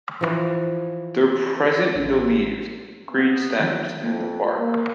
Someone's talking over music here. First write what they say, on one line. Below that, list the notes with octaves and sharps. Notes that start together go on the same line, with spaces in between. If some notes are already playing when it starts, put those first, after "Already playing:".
They’re present in the leaves, green stems and in the bark.
E3 F3
A1
B3
D#3 F3
F2
A#3